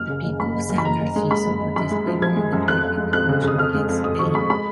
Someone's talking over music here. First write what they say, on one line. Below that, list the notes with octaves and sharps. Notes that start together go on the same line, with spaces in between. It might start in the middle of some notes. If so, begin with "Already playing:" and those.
The people of San Narciso participated in the Philippine Revolution against Spain.
Already playing: F#1 F6
C#3
F#1
F#1 B5
F#1
F#1
B5
F#1 A#5
F#1
G#3
G#3 B5
F#1
F#1
F#2 B5
G#3
F3
F3 G#6
G#3
F#2
F2 F#6
F2
G#3
F2 F#6
C#3
C#3 D#6
F2 F6
G#3
F2
F2 D#6
F3 C#6
G#3 B5
G#3 B5